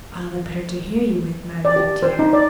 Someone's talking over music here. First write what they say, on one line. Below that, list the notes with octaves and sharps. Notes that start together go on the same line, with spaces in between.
"All the better to hear you with, my little dear."
D5
G4
C5
D#4
D5